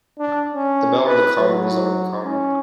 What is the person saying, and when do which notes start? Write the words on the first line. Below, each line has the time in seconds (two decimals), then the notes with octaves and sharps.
The "Bell on the Common" is on the common.
0.19 D4
0.55 C#4
1.07 B4
1.40 F#3
2.24 C#4